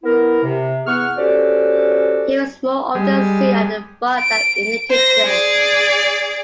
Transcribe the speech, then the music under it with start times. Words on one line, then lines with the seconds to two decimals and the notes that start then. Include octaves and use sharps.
He was more often seen at the bar than in the kitchen.
0.03 B3 E4 A#4
0.43 C3
0.86 E3 B3 G#4 F#5 C#6 F6
1.17 C#4 F#4 G4 A4 C5 D5
2.95 G3 G#3
4.19 D7
4.90 C5 A#6
5.25 G#4 D5